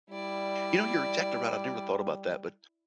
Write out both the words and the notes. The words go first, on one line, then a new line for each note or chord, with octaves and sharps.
You know, you're exactly right, I've never thought about that, but
G3 E4 D5